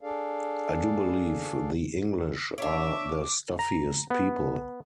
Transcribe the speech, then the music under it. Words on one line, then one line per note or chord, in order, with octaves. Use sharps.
I do believe the English are the stuffiest people!
D4 G#4 A4 D5 F5
D4 C#5 E5 D6
A#5
B3